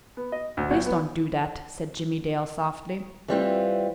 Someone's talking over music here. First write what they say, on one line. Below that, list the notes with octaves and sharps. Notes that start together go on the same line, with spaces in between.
"Please don't do that," said Jimmie Dale softly.
B3
D#5
D2
B1
B3
E3 G3 C4 F4